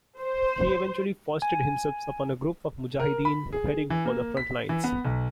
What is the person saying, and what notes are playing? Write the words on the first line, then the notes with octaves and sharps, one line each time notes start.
He eventually foisted himself upon a group of "mujahideen" heading for the front lines.
C5
G#5
A#4
B5
G#4
E3
A#3
B6
E3
B3
B1